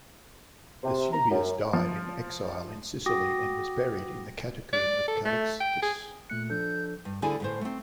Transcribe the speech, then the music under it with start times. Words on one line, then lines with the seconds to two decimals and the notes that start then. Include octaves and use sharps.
Eusebius died in exile in Sicily and was buried in the catacomb of Callixtus.
0.83 C3
1.12 A#5
1.31 F#2
1.73 F3
3.06 F#4 G5 D6 D#6 A#6
4.73 D5
5.08 A4
5.25 A3
5.60 G5
5.82 G#4
6.30 A#2 A3 F#6 C#7
6.50 F3 D4 A4 G6
7.05 G2
7.22 D2 D3 E4 G#4 D5 G#5
7.40 D2 A2 C5
7.61 A3 C4